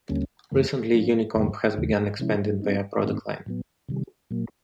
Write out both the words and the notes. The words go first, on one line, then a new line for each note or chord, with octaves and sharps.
Recently, Unicomp has begun expanding their product line.
D#2 D3 G3 A#3 C#4
F#2 C#3 E3 A3
F3 A3 C#4 F4
F2 C#3 E3 G3 A#3
D#2 C#3 E3 A3
C3 F3 G#3 C#4 E4
G3 C4 D#4
A2 E3 A3 C4 D#4
A2 F#3 B3
C3 D#3 G3
A#2 F#3 A#3